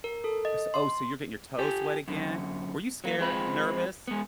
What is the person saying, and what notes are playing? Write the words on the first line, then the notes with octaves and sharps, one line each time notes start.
S oh, so you're getting your toes wet again? Were you scared, nervous,
A#4
A4
D#5
C6
G4 A4
F#2 D3
F#3 A#3
F3 G#3 C4 B4
G#3 B3